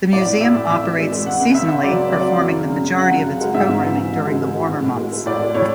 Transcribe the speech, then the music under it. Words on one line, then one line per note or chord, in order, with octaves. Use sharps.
The Museum operates seasonally, performing the majority of its programming during the warmer months.
A2 D5
A2
A2 E5
A2
A2 E5
E3
G#3
G#3
C#2 F#5
C#2
C#2 E5
C#3
F#3 D5
C#2
F#3 D5
C#3
F#2
C#3
F#2
F#2
C#3 F#5
F#2
C#3
G#3
G#2 E5
G#2
E3
G#2
G#2
G#3
G#3
G#3
A2
A2
G#3
G#3
A2 D5
G#3
A2 C#5